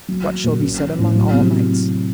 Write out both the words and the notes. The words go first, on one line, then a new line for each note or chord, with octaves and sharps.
What shall be said among all knights?
F#3
F#3
A#2
C#4
C#4
A2
F#3
C3